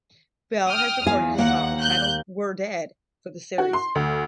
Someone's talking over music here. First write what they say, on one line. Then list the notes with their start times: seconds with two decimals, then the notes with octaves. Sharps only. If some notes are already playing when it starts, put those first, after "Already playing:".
Bell has recorded a song titled "We're Dead" for the series.
0.66 G5 D#6 F6
1.07 E2 F5 G#5
1.38 D#2 A#3 F#5
1.80 F#6 G6
3.58 F#4
3.73 C6
3.95 D2